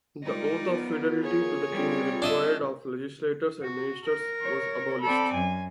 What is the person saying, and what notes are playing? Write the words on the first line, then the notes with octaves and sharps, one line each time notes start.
The oath of fidelity to the king required of legislators and ministers was abolished.
G3 G#3 D#4 F4 A#4 D5
B3
G#4 C#5 G#6
G3 C4
D4 D#5 E5
F#4
A#4
C#5
C4 A4 D5 B5
F#2 G#5